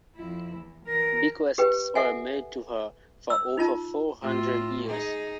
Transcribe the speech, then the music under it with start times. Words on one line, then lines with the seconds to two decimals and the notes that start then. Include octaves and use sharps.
Bequests were made to her for over four hundred years.
0.16 F2 E4
0.56 E2
0.87 E3 A#4
1.58 G4 B4 G5
1.95 A4 E5 F#5 G#5
3.30 E6
3.57 D#4 F4 A5
4.20 A2 F4
4.87 D#4 G#4